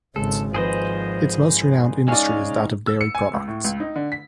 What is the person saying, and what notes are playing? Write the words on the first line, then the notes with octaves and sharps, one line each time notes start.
Its most renowned industry is that of dairy products.
G#1 C#3 G#3 A4
G#1 F3 G#4 B4 C5 D#5
G#3 C#4 D#4 D5 F5 G#5
E6
C#7
G#5
C#2
A2
C#2
D#4
D3
B6